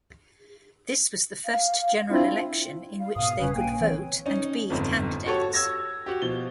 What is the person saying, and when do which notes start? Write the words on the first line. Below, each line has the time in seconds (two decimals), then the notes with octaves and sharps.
This was the first general election in which they could vote and be candidates.
1.46 F5
2.11 C4 D4 E4 F4
2.99 F5
3.16 G#2 B2 F5 D#6
3.39 E1 C#3 G3 C#4 B4
3.56 A#1 A#3 G5 G#5
3.81 E3 C4 C#5
4.26 C#4 D#4
4.70 G1 F2 G#2
5.26 F#4 G4 A4 C#5 C#6
5.54 E6 G#6 A#6
6.06 F#4 G4
6.22 B2 F3 G7